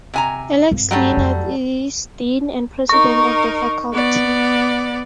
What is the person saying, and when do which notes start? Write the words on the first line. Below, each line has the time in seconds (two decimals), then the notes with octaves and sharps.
Alex Lienard is Dean and President of the faculty.
0.14 C3 G#5 A#5
0.71 G2 C4
0.91 F#3 G3 A3
1.17 F2
2.89 D#4 A#4 C#6
3.92 B3 D5